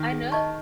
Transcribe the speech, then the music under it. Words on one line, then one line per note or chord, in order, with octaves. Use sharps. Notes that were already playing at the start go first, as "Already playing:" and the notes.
I kno
Already playing: D#3
G#4
D#5 A5 C#6